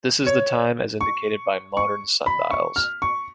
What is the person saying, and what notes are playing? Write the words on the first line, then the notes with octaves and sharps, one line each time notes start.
This is the time as indicated by modern sundials.
C#5
C#6
C#6
B5
C#6
F6
C#6